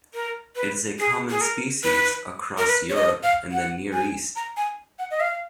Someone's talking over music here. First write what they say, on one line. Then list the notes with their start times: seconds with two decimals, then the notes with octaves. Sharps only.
It is a common species across Europe and the Near East.
0.14 A#4
0.56 B4
0.99 G#4
1.30 G#4
1.41 A#4
1.83 B4
2.58 A#4
2.68 B4
2.89 C#5
2.95 D#5
3.23 F5
3.52 F#5
3.93 G#5
4.36 A#5
4.57 G#5
4.99 F#5
5.11 D#5
5.20 F5